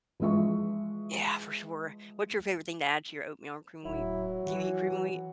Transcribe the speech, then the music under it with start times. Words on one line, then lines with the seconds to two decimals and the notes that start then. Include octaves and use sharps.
Yeah, for sure, what's your favorite thing to add to your oatmeal or cream of wheat? Do you eat cream of wheat?
0.20 E3 F3 G#3 E5 C#6
3.85 D1 F#3 E4
4.47 E3 F#4